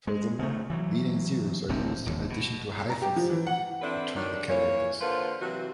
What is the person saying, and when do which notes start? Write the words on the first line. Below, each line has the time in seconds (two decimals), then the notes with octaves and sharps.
Furthermore, leading zeroes are used in addition to hyphens between the characters.
0.07 G#3
0.39 C#3 A3
0.70 E3 F#3
1.69 D1 A#1 D3 C4
2.06 E1 D#2
2.30 B2
2.90 A#5
3.02 G4
3.16 F3
3.30 E3
3.47 F#5
3.82 C4 D4 E4 A4 B4
4.16 D#3 F#3 G3 D4
4.49 E3 A#3 C#5
5.00 D3 A#3 F4 B4 C5
5.40 C3 E3 F#3 F#4